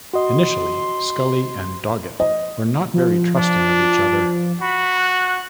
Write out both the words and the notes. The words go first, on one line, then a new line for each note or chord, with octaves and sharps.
Initially, Scully and Doggett were not very trusting of each other.
F#4 D#5 C6
D#5
F3
D4
F#4 B5
F#6